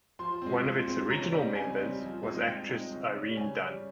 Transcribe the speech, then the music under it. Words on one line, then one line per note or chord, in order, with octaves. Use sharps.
One of its original members was actress Irene Dunne.
F3 C6
G#3 C4
F3
G#3 C4
C#3 A#5
G3 C4 D#4
C#3 G#5
G3 C4 D#4
F3
G#3 C4 D#4
F3 G5
G#3 C4 D#4
C#3
G3 C#4
C#3 G#5
G3 C#4